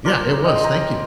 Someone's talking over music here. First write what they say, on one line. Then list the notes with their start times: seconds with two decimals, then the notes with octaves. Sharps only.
Yeah, it was, thank you.
0.05 F3 A#3 D4 F4 A#4 D5
0.45 D#5 G5
0.55 C6
0.64 G5 A#5